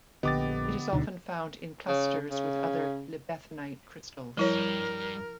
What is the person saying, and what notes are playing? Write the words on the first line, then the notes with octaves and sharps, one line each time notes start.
It is often found in clusters with other libethenite crystals.
A#1 D3 B3 G4 D#5 D6 A6
D2 B2 D3 D#4
C#3
C#3
G2 F3 E4 A#4 C#5